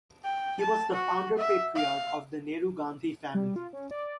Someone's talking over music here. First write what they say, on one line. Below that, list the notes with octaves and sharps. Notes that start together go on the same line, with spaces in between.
He was the founder patriarch of the Nehru-Gandhi family.
G5
A5
F#4
E5
F5
G3
F4
C#4
D5